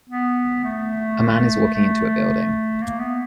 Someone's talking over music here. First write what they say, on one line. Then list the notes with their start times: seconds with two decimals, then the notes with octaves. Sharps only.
A man is walking into a building.
0.10 B3
0.64 A3
1.74 A3
2.83 A#3
3.00 B3